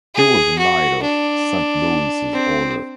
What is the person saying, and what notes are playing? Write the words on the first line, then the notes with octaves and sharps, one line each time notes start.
He was a knight of Saint-Louis’s order.
G#4
F#4
D4
C4